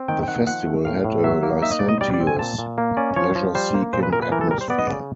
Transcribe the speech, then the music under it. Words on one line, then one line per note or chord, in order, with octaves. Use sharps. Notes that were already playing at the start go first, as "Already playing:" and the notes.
The festival had a licentious, pleasure-seeking atmosphere.
Already playing: C4
D#3 G5
G5
D#3 F#5
F3 F#5
A3
A2 F5
A2
F#3 E5
A#3
D#4 E5
D#5
B2 D5
D#5
G3 D5
D5
C4
G#5
A#2 A5
A#2
A#3
C#4 D5
F3 C#5
F3
G3 C5
A#3
A#2 C5
B4
A#2 A#4
B4
E3 A#4
A4
G3 A#4
C5
B3 D5
D#5
C#3 D5